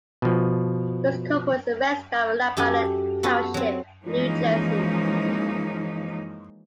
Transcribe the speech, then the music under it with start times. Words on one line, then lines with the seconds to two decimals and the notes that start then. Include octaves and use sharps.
Piscopo is a resident of Lebanon Township, New Jersey.
0.22 B2 F3
2.57 F#2 G4 A4 G#5
3.23 B3 F#4 A4 B4
3.54 F#3 C4
4.04 E3 F3 G#3 A#3 C#4 D#4